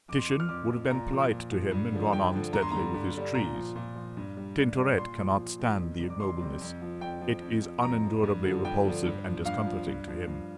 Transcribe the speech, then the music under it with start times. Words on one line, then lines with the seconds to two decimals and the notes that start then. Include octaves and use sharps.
Titian would have been polite to him, and gone on steadily with his trees. Tintoret cannot stand the ignobleness; it is unendurably repulsive and discomfiting to him.
0.08 F2 D6
0.18 C6
0.29 F3 D6
0.40 F6
0.49 F2 D6
0.70 F3
0.90 A#2 A#5
1.11 F3
1.31 A#2
1.52 F3
1.71 G2
1.92 D3 F3
2.13 G2 G5
2.33 D3 F3
2.53 G2 A#5
2.62 C6
2.71 D3 G3 A#5
2.94 G2
3.14 D3 G3
3.34 A#2 A#5
3.55 F3
3.76 A#2
3.96 F3
4.17 G2
4.37 G3
4.57 G2
4.77 G3
4.97 A#2 C6
5.18 F3
5.38 A#2
5.59 F3
5.79 F2
6.00 C3 G3
6.10 D6
6.20 F2 C6
6.40 C3 G3
6.61 F2
6.81 F3
7.01 F2 G5
7.21 F3
7.42 F2
7.62 F3
7.83 F2 A#5
8.04 F3
8.23 G2
8.45 D3 F3
8.65 G2 G5
8.85 D3 F3
9.06 G2
9.26 F3
9.45 G2 F5
9.66 F3
9.87 G2
10.07 F3
10.27 G2